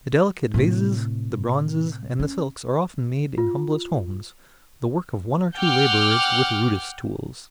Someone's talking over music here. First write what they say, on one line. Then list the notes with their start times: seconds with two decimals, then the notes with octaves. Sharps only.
The delicate vases, the bronzes, and the silks are often made in humblest homes, the work of one or two laborers with rudest tools.
0.54 A2 C3
2.19 C#4
3.38 F4
5.58 F#5 G5 D6 F6